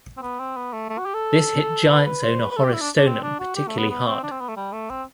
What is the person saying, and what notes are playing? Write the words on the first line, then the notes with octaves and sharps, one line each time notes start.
This hit Giants owner Horace Stoneham particularly hard.
C4
B3
C4
B3
A3
A3
F#4
G4
A4
B4
B4
C5
B4
B4
A4
G4
E4
D4
D4
C4
D4
F#4
G4
A3
B3
B3
C4
D4
C4
B3
A3
G3
A3
C4